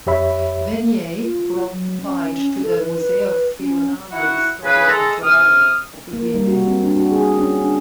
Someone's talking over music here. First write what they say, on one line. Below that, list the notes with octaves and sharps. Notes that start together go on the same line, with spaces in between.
Venier brought the find to the "Museo Friulano di Storia Naturale" at Udine.
F2 G4 C#5 E5 B5
F4
F#3
C#4
A4
B4
B4
C#4
E4 F#4 F#5
C#3 G#4 B4
G#3 A4 A#5
C3 D#6 F6
A#3
G3
F#4
C4
D4
F#4
G#4
C#4
D4